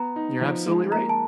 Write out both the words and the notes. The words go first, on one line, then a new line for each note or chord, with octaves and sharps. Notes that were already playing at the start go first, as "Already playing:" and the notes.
You're absolutely right,
Already playing: B3 A#5
D#4
F3
G#3
A#3 A#5
A5